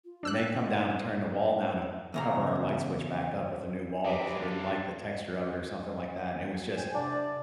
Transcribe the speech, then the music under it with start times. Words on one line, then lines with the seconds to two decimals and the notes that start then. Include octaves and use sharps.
and they'd come down and turn the wall down and cover our light switch back up with a new wall 'cause they didn't like the texture of it or something like that, and it was just
0.05 F4
0.23 D4 E6 F#6
2.14 E2 C#3 A#5
4.05 D3 C4 D#4 G4 B4 C#5 A#5 D6
4.40 D4 A4 F5 A5
6.77 C5 G5 G#5
6.95 C3 D4 D5